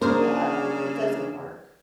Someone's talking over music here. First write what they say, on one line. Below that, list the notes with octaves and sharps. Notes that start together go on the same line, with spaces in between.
ma uh, m it doesn't work.
C#3 A#3 D4 G#4 A#4 C5